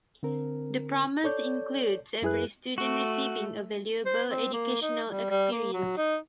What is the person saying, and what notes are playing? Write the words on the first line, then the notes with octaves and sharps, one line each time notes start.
The promise includes every student receiving a valuable educational experience.
D3 C4 A#4
A4 C#5 D5 G6
F#2 E4 G#4 B4 F#6
A3 F#4
C5
C4
A#3
D#4
G3
G3
A#3
F#3
D#4